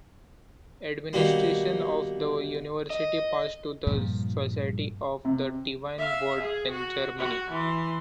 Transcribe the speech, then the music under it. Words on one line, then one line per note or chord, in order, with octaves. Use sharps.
Administration of the university passed to the Society of the Divine Word in Germany.
B2 D#3 G3 A#3
D#5
G2 A#2 F3 G3
C3
E5 F5
G#4
F#4
F#4
E3 C6